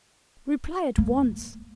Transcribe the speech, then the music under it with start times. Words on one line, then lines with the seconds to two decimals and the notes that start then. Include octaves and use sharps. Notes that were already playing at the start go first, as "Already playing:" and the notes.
Reply at once.
0.98 A#3